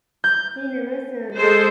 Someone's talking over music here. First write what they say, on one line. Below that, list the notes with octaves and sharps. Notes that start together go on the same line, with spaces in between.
He never served.
G6
G#3 A4 C5